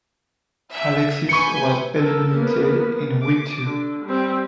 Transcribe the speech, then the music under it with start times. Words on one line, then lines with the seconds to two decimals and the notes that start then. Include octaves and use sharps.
Alexis was eliminated in week two.
0.72 E5
1.29 B4 G#5 C#6 G6 C#7
1.98 A4 A#4
2.35 A#3 B3
3.22 D6
3.66 D3
4.05 G3 C4